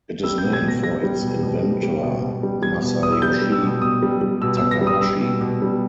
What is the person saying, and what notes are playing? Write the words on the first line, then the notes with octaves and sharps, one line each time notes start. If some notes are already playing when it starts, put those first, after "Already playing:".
It is named for its inventor, Masayoshi Takahashi.
G3 E6
G6
B2
G#6
B2
A#6
G3 A#6
G3
B2
B2
G3
G3
B2
B2
G3
G3 G#6
B2
B2 D#6
E6
G3 G6
G3
E6
B2
B2 D#6
G3
G3
B2 E6
B2 E6
A#6
G3
D#6
G3 E6
B2
B2
G3